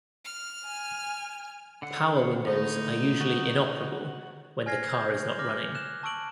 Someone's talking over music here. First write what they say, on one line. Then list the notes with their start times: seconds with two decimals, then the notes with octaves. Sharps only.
Power windows are usually inoperable when the car is not running.
0.25 F6
0.67 G#5
1.82 D3 F#5
2.47 A2 D#4 D#5
3.21 F#4
4.66 G#5 F6 G#6 A#6 C7
4.94 G6
5.39 D6 F6 A#6
5.75 F#6 E7
6.03 A5 C#6 E6 D7 F#7